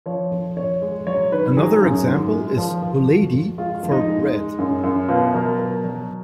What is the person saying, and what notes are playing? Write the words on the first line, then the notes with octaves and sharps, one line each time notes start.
Another example is "buledi" for "bread".
F3 C#5
F2
F2 C#5
G#3
F#3 C#5
D#3 B4
F#3 G#4
F#2
G#2
G#3
F3
F3
F2 F#4
F2
G#3 F4
F4
F2
D#4
G#3
G#3
F#2
F#2
B2 F4
F#3 A#4
B2 A#4
F#3